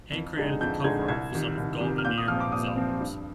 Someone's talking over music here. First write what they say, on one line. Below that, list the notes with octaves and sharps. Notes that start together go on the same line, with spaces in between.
Hay created the cover art for some of Golden Earring's albums.
F2
D3 G#3 D#4
F2 G6
D3 G#3 D#4 G#6
C2 G#6
C3 D#3
C2
C3 D#3
F6
A#2 G6
D#6
F3 C4 F6
D6
A#2 D#6
F3 C4
G2